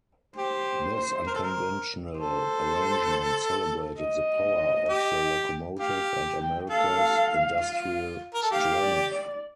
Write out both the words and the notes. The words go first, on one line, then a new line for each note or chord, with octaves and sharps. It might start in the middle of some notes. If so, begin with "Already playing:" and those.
This unconventional arrangement celebrated the power of the locomotive and America's industrial strength.
G4 C5
A#4
A4
A#4
A4 C5
D#5
G4
G4 F5
G5
A4 F5
F4
A#4
A4
G4 F5
D5
D5